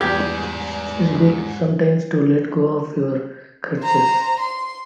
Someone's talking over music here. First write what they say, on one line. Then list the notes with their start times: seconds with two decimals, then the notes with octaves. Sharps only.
It's good sometimes to let go of your crutches.
0.01 E2 G#2 G3 G4 G#6
3.79 C5 A#5
4.40 C6